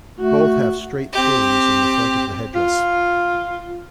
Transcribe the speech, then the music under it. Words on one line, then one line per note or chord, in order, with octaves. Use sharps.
Both have straight plumes in the front of the headdress.
A3 F#4
C4 G4
F4